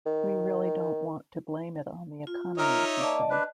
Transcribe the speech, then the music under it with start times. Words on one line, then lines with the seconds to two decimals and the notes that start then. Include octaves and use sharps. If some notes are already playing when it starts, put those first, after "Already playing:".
"We really don't want to blame it on the economy," he said.
0.06 D#3
2.27 F4
2.58 D#4 A#4 C#5 E5
2.99 A#3 D5 D#5 A5
3.30 D4 B4